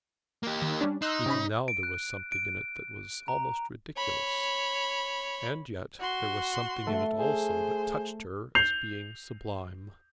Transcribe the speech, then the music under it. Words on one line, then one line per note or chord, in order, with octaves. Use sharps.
Even now there was something in it that was almost ridiculous--and yet there was something in it also that touched her as being sublime.
A#3 G4
D#3
G3 C#4 D4
D#4 C6 E6 F#6
C3 C#4 B5
D7
F#6
D7
A#5
C#5 B5
F#4 C6
A3
G#4 C5
G6 C7 F7